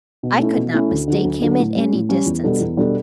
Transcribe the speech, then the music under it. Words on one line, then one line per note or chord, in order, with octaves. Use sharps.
I could not mistake him at any distance.
B2
A3 C#4 E4
B2
A3 C#4 E4
D2
D3 F#3
D2
D3 F#3
A2
G3 C#4
A2
G3 C#4
E2
B2 G3 D4 A4
E2
B2 G3 D4 A4